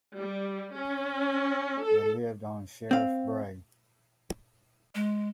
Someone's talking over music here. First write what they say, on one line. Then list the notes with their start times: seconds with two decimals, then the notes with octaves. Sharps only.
They lived on Sherrif Brae.
0.15 G3
0.74 C#4
1.81 A4
2.91 C4 F5
4.95 G#3